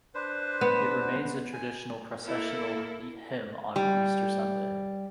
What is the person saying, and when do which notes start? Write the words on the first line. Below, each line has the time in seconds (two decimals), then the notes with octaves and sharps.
It remains a traditional processional hymn on Easter Sunday.
0.15 D4 B4 C5
0.61 B3
1.53 G#5
2.23 A#3 E4 A4
3.76 G3